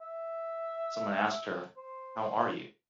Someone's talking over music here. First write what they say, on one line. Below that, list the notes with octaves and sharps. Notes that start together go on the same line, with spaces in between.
Someone asked her: How are you?
E5
C5